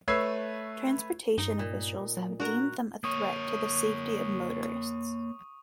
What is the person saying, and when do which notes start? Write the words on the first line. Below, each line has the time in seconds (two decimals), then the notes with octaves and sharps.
Transportation officials have deemed them a threat to the safety of motorists.
0.08 A3 B4 C#5 E6 G#6 C7
1.38 G2 D#4
1.59 A#2
2.17 F#3
2.40 D4 F#4 A#4 A#5
3.04 A#3 C#5 C#6 D#6